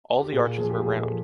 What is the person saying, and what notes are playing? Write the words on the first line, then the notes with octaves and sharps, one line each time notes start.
All the arches were round.
G4
A#2 G#4
F3 A#3 G#4
G4
A#2 G#4
A4
F3